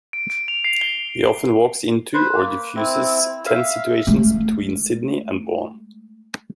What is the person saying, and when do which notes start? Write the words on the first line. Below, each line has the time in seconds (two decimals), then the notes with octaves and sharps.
He often walks into or defuses tense situations between Sydney and Vaughn.
0.13 D7
0.30 D7
0.48 F7
0.64 C7
0.81 G7
2.14 B4 C5
2.35 A#3
2.76 C4 E4
3.46 E5 F5
4.07 G#3 A3